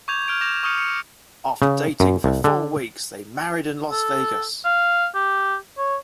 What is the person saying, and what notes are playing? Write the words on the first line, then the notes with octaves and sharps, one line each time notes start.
After dating for four weeks, they married in Las Vegas.
C#6 D6 G6 G#6 F7
F6 G6 D7 F7
D6 G6 A#6 E7 F7
C#6 D#6 F6 G6 C#7 D#7
C#7
C#3
F#2
C2
D3
A4
F5
G4
C#5